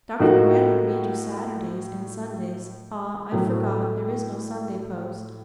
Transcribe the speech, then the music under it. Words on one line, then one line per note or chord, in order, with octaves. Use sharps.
Dr. Brand would read you Saturday's and Sunday's--Ah, I forgot; there is no Sunday post.
A2 F3 A#3 D#4 F#4
A2 F#3 A3